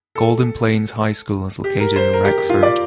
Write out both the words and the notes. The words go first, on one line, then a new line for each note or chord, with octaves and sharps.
Golden Plains High School is located in Rexford.
A4
G4
A#4
C5
A#4
G4
G4
F4
D5